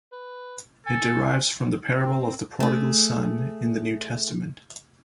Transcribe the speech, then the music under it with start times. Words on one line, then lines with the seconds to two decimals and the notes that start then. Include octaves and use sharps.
It derives from the Parable of the Prodigal Son in the New Testament.
0.12 B4
0.86 A4 G#5
1.93 C4
2.60 A3 G#4